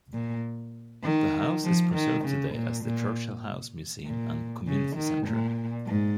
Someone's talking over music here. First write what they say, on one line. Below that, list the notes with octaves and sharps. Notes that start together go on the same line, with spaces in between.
The house is preserved today as the Churchill House museum and community centre.
A#2
D#3
F3
D#3
C#3
A#2
A#2
A#2
C#3
D#3
A#2
G#2